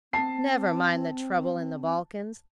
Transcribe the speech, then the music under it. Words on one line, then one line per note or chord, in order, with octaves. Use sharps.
'Never mind the trouble in the Balkans.
C4 A5 C7